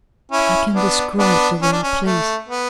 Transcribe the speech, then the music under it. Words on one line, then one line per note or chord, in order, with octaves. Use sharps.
I can describe the very place.
C#4 E4
B3 D4
B3 D4
C#4
D4
C#4
A3
B3